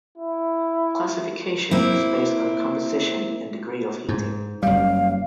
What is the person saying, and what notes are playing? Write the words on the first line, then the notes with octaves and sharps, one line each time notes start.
Classification is based on composition and degree of heating.
E4
A#3 C4 E4
G#2
F#1 G3 F5